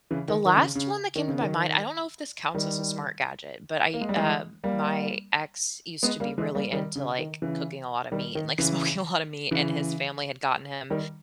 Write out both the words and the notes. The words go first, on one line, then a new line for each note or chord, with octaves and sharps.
the last one that came to my mind, I don't know if this counts as a smart gadget, but I, uh my ex used to be really into, like, cooking a lot of meat and, like, smoking a lot of meat, and his family had gotten him
C#3 E3
D#3
D#3
C#3
C#3
D#3
C#3
D#3
D#3 G3
A#3
G#3
G3
E3 G#3
G3 A#3
G#3 B3
G3 A#3
E3 G#3
G3 A#3
D#3 G3
C#3
D#3
C#3 E3
D#3 G3
D#3
C#3 E3
C#3 E3
D#3 G3